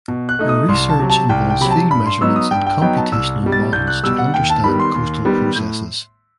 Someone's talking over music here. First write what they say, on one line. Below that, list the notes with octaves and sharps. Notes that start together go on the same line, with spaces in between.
Her research involves field measurements and computational models to understand coastal processes.
B2
F#6
A3 D#4
D#6
C2 C6
A5
C3 F#3
A5
C2 G5
G5
C3 F#3 B5
A5
G2 B5
C6
F#3 B3 D#4 E6
D#6
G2 G5
G5
F#3 B3 D#4 G5
A5
C2 E6
B2 G3
A6
C2 G6
F#6
B2 G3 E6
F#5
D#2 G5
A5
D#3 G3 B3 B5
C6
D#2
D#3 G3 B3
A2